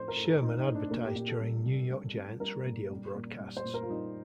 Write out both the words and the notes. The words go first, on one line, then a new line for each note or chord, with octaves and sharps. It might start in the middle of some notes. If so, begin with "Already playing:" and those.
Sherman advertised during New York Giants radio broadcasts.
Already playing: A2 F3 C5
A#4
A2
A4
A2 D#4
D#4
A2
D4
A#2 A#3
G4
A#2 G4
A4
G3
G3
G3
G3
G3 A#4
A#2
G3
A#2
G3
C5
A#2
A#4
F4
G3 D#4